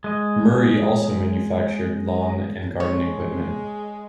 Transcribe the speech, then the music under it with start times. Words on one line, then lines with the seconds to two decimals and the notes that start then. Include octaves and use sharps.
Murray also manufactured lawn and garden equipment.
0.04 G#3 D#5
2.80 G#3 C#5